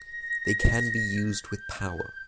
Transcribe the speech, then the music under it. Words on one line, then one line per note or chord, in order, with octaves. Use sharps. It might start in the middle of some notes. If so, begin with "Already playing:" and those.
They can be used with power.
Already playing: A#6
G6